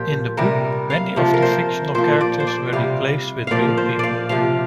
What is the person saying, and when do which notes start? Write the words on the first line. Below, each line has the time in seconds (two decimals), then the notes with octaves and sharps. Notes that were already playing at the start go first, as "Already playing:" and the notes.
In the book, many of the fictional characters were replaced with real people.
Already playing: A#2 F3 F4 G4
0.37 C3 G3 A#4
0.90 F5
1.16 C3 F3
1.34 A#4
1.42 C5
1.95 A#2 F3 C5
2.21 D5
2.40 C5
2.47 D5
2.73 C3 G3 F5
3.47 A#2 F3 D5 F5
3.77 C5
3.99 D5 F5
4.29 C3 F3 F5